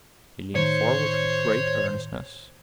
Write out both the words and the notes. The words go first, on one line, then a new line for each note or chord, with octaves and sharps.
He leaned forward with great earnestness.
A2 D#3 C5 C#5